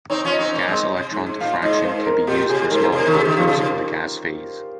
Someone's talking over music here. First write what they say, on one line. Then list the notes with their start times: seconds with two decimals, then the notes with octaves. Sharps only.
Gas electron diffraction can be used for small molecules in the gas phase.
0.10 C4 D#4 C#5
0.25 C#4 F4
0.32 D#5
0.39 C4 D#4
0.53 A#3 C#4
0.68 G#3 C4
0.97 C3
1.11 G#2
1.27 G#2
1.40 A#2 F5
1.62 G#2 D#5
1.84 C5
2.06 A#4
2.27 A#2 G4
2.49 C3 G#4
2.71 G#2 A#4
2.85 C5
2.92 C3
3.00 A#4
3.06 D#3
3.14 C#3 G4
3.25 C3 D#3
3.36 C#3 F3 F4
3.47 C#3
3.58 C3